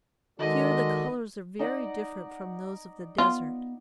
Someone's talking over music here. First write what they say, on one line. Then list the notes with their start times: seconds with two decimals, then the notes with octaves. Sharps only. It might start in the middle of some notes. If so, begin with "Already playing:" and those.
Here the colors are very different from those of the desert.
0.39 D#3 G#3 F#4 A4 D5 D#5
1.59 D#4 D5 F#5
3.18 B3 F4